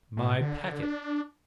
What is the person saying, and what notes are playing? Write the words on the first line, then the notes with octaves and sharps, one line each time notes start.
"My packet?"
A2
D3
D4